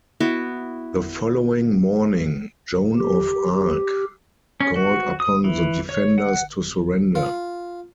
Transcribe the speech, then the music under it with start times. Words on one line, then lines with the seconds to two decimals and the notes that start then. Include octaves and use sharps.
The following morning Joan of Arc called upon the defenders to surrender.
0.20 B3 E4 F#4
2.98 G4
3.55 G4
4.60 C#4
4.76 F#4
5.20 D#6
5.44 E3
5.89 C#5
6.18 F#5
7.15 F4